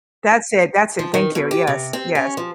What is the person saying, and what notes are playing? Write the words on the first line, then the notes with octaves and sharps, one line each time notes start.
That's it. That's it, thank you. Yes, yes.
F3
D#3
B2
G4
C3
C4
C#4
F3